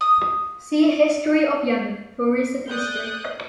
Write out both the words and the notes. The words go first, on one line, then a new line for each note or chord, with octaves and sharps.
See History of Yemen for recent history.
D#6
D5 D#6 F#6 G6